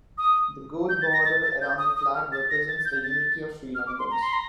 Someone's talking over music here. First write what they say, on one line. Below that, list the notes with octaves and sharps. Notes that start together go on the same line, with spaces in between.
The Gold border around the flag represents the unity of Sri Lankans.
D#6
G6
A6
A#6
A6
A6
G6
D#6
D#6
F6
A6
A#6
A6
G6
A6
F6
D6
C6
A#5
C6
A#5